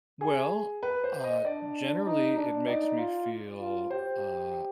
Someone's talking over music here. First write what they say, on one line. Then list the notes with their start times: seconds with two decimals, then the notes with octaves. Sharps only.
Well, uh, generally, it makes me feel, uh,
0.21 G#4
0.83 B4
1.04 C5
1.24 D#5
1.44 D4 D5
2.06 D#4
2.37 D4
2.67 D#4 D5
2.98 F4
3.60 F4
3.90 G4 C5